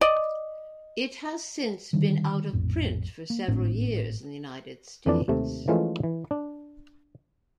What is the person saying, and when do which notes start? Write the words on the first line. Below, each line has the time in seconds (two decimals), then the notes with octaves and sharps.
It has since been out of print for several years in the United States.
0.01 D5 D#5
1.93 D3 D#3 G3
2.53 A#1 F2 A2
3.30 A#3
3.48 G#1 A2 C4 D4
5.06 F2 E3 A3 D4 D5
5.28 D#2 C3 A3
5.68 E3 F3 G#3 A3 C#4 F4
6.03 E3
6.31 D4